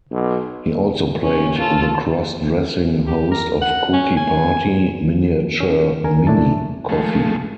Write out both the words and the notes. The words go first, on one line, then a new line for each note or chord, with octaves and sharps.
He also played the cross-dressing host of Cookie Party, Miniature "Mini" Coffee.
B1
C#4
F4 A4
G4
A#4
F#5
C#4
G#5
C#4
D#2 D3 A#4 G#5
A#2 C#3 A3 D4 E4 A5
F3 G#3 A3